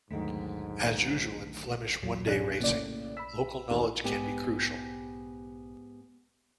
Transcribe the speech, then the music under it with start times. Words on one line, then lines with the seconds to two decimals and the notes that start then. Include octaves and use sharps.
As usual in Flemish one-day racing, local knowledge can be crucial.
0.10 D#2 G#2 D3 D#3 F#3 A3 B6
2.03 E2 A#2 F#3
2.27 C#4 D5 F#6
2.60 A2 C#3 A#3 D5
3.17 B5 E6 B6
3.71 D#2
4.04 G#2 B3 G4 B4 G5 G#5